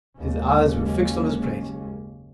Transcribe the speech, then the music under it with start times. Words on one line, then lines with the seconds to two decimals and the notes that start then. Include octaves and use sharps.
His eyes were fixed on his plate.
0.18 F#1 D#2 G#3 A#3 C#4